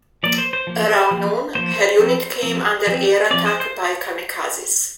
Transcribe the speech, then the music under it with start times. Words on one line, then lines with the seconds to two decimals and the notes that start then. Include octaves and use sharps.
Around noon, her unit came under air attack by "kamikazes".
0.23 F3 A#3 D5
0.38 C5
0.53 C5
0.67 F3 A#3
1.11 F3 A#3
1.55 F3 A#3 C5
1.99 F3 C4
2.43 F3 C4
2.87 F3 C4
3.31 F3 C4 D5
3.46 C5
3.60 C5